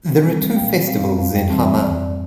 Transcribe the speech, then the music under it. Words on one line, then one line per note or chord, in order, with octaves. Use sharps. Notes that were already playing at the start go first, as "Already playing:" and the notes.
There are two festivals in Haman.
G3 C4
F5
A#2 G5
G3 C4 F5
F2 F5
G5
E3 G3 C4 A5
E5
F2 D5